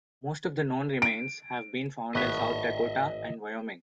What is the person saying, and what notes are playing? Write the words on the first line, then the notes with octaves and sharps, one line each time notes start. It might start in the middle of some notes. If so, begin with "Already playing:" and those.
Most of the known remains have been found in South Dakota and Wyoming.
D7
G#1 A2 B4 D#5 E5